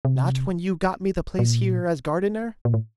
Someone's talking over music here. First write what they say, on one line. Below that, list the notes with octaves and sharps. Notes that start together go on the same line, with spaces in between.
"Not when you got me the place here as gardener?"
C3
A#2
A#2
A2